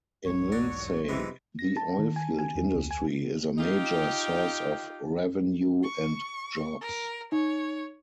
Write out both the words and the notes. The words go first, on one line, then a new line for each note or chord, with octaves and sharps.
In Lindsay, the oilfield industry is a major source of revenue and jobs.
F1 B1 E2 G#2 C#5
F#3 D4
F1 C3 E3 F#3 G#3 C4
A#6
A5
D#3
G#5
G#5
E2
C#2
G#5
D#4 F4 G4 G5
C#6
A#4
D#4 C#5